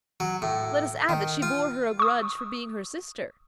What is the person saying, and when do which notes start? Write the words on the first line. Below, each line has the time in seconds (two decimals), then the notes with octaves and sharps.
Let us add that she bore her a grudge for being her sister.
0.20 F#3
0.42 A2
1.09 D#3
1.42 F4
1.99 C#6 D#6